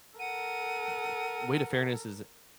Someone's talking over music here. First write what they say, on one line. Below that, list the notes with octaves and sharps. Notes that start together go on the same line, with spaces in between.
the way to fairness is
A4 A#4 F#5 D#7